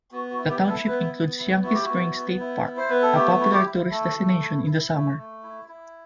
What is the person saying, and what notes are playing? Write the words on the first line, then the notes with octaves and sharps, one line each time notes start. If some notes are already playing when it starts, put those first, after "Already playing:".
The township includes Yankee Springs State Park, a popular tourist destination in the summer.
B3 F#4
F#4
E4
G4
E4
A4
B3 B4
B3
E4
E4 F#4
G4
F#4
B3
B3
E4
E4
C5
B3 B4
A4
A3 G4
E4 F#4
G4
E4
A3 A4
A3
E4
E4
A3
A3
E4
E4